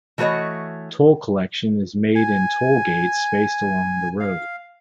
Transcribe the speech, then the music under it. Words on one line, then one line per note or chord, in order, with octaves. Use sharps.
Toll collection is made in toll gates spaced along the road.
E3 A3 F#4 B4 C#5 D#5
G#5
F5